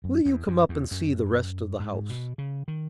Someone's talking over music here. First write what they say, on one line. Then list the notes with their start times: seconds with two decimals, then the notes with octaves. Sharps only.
"Will you come up and see the rest of the house?"
0.04 F#2
0.25 E2
0.48 F#2
0.69 E2
0.91 F#2
1.79 G#2
2.09 B2
2.38 C#3
2.68 D#3